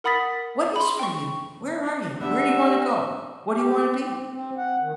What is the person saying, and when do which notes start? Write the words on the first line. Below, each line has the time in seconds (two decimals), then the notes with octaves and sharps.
What is for you? Where are you? Where do you wanna go? What do you wanna be?
0.04 A#4 F#5 B5 D#6 A6 B6
0.76 B5 C6
0.99 G5 C#6
2.21 B3 D4 G4 E5
3.52 G4
3.95 C4
4.28 C4
4.57 F#5
4.80 D#3